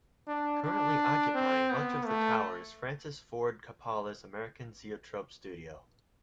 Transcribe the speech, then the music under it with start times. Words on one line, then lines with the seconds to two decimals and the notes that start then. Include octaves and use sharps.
Currently occupying much of the tower is Francis Ford Coppola's American Zoetrope studio.
0.28 D4
0.64 D4
1.35 C4
1.71 B3
2.06 A3